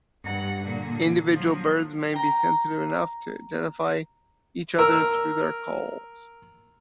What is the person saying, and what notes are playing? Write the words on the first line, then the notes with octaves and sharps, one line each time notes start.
Individual birds may be sensitive enough to identify each other through their calls.
G2 F#5
A#2 D3
F3 F#3
G5 A#5
A#4 E6